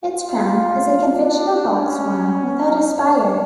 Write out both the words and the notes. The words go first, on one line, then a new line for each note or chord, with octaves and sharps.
Its crown is a conventional box form without a spire.
F4
D4
C#4